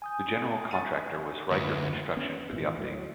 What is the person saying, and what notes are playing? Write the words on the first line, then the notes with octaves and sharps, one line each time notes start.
The General Contractor was Reicker Construction for the update.
G#5 D#6 G6
C#6 A6 D#7
F#1 D2 F3 B4
B3 C#4
G#1 A#2 E3
D2 A2 F#3